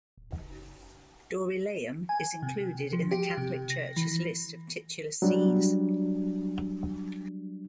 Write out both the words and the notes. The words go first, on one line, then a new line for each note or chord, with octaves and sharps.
Dorylaeum is included in the Catholic Church's list of titular sees.
D1
F#1
G#5
C3
F3
G4
C3
A#6
E3
F#3 G3 D4